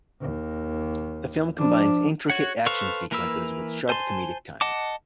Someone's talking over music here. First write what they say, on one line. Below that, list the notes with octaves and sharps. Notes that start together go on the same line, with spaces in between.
The film combines intricate action sequences with sharp comedic timing.
D#2
F3 D4
F#4 C#5 F#5
A4 B4 C5 F5 C#6
E3 A#3 A#4 B4 E6
C5 G#5 A5 C6
D#5 F#5 A5 D6